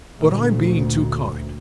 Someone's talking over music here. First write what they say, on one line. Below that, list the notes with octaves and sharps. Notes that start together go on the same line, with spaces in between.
But I'm being too kind.
D2 A#2